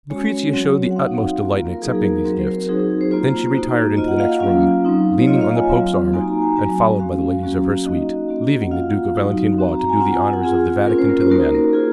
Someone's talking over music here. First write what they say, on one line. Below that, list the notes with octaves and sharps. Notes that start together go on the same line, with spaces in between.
Lucrezia showed the utmost delight in accepting these gifts; then she retired into the next room, leaning on the pope's arm, and followed by the ladies of her suite, leaving the Duke of Valentinois to do the honours of the Vatican to the men.
G#3 C#4 F#4 C#5
F#3 C4 F#4
F#5
C4 D#4 F#4 F5
A#3 F4
A#4
F#3 A#3 D#4 F#4 G#4
G#4
A#4
F#3 C4 F#4
C5
A#4
F#3 C4 D#4 F#4 G#4
G#4
G#4
C5
A#3 F4 C5
A#3 D#4 F#4
A#3 F4 D#5
F#5
F5
F5
F#3 A#3 C#4 F4 F5
F#3 C4 D#4
C#5
A#3 F4 D#5
F5
G#5
F#3 C4 F4
A#3 D#4 F#4 G#5
A#5
G#5
F#3 C4 F#4 G#5
G#3 C#4 F#4 F5
F#3 A#3 C#4 F#4
A#3 D#4 F#4 D#5
A#3 C#4 F#4
F#5
A#3 F4 F5
F#3 C4 D#4 F#4
C4 F#4
A#5
A#5
G#5
C4 F4 F#5
G#5
G#5
F#5
C4 F4 G#4
A#3 C#4 F4 A#4
C5
A#4
C5
A#3 D#4 F#4 A#4
C5
A#4
A#3 F4 G#4